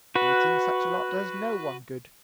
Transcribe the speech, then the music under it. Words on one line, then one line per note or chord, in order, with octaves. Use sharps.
Eating such a lot does no one good.
F#4 B4